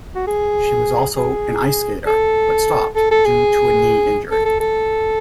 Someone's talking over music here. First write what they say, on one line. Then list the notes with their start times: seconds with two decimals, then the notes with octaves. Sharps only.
She was also an ice skater, but stopped due to a knee injury.
0.15 F#4
0.27 G#4
1.16 G#4
2.07 A4
2.95 A4
3.11 A4
3.25 G#4
4.31 A4
4.45 A4
4.60 A4